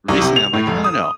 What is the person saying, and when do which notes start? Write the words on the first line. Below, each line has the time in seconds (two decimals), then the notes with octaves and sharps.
recently, I'm like, "No, no, no,
0.08 C2
0.21 C3
0.36 F7
0.53 A2
0.67 F1
0.84 D#6